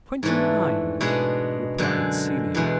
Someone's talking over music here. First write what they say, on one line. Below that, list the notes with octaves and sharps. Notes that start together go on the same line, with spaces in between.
"Twenty-nine," replied Celia.
G#2 E3 A3 D4
B2 G#3 D4 G#4
F#2 D3 G#3
E2 B2 G#3